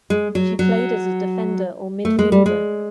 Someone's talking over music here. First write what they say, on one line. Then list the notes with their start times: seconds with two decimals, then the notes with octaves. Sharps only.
She played as a defender or midfielder.
0.10 G#3
0.35 F#3
0.59 F#3
2.05 A3
2.19 G#3
2.32 G3
2.46 G#3